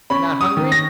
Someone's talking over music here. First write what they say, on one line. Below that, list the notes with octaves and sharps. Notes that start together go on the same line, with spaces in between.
"Not hungry?"
C#4 B5
D#6
D#3
A#6